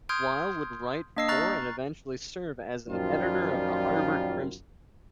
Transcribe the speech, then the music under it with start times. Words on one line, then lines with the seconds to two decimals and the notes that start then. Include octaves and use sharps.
Weil would write for and eventually serve as an editor of the Harvard Crimson.
0.09 C6 D#6 F6 G6 G#6 D7
1.16 A#3 D4 D#5 E6 C7
1.28 A#5 C#6 F6 F#6 A6 C7
2.89 F#2 A#2 D#3 F3 G3 F4